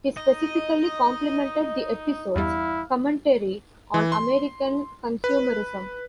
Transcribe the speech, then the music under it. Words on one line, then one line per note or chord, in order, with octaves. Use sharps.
He specifically complimented the episode's commentary on American consumerism.
D#4 D#5
E2 G2 G3 E4 F5
E3
C6
B4